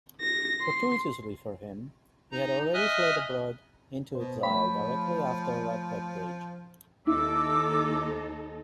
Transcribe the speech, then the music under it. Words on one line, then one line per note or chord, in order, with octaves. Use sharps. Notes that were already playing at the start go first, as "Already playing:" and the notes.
Fortuitously for him, he had already fled abroad into exile directly after Radcot Bridge.
A#6
C6
D#4 A#5
D#5 E5 G#5 D#6 F6 F#6
B2 C5
F3 A3 C#5 B5
D#2 D#4 E4 A4 D6 E6